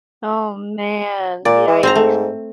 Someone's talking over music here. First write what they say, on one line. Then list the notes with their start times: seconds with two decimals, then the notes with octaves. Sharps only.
Oh man. Yikes.
1.45 A#2 D5
1.67 E3
1.83 G#2 C4 C5 A#5
1.95 A3